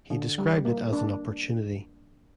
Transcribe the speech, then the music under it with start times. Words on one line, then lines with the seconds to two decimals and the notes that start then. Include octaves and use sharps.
He described it as an opportunity.
0.10 D3
0.38 G3
0.65 A#3
0.93 D4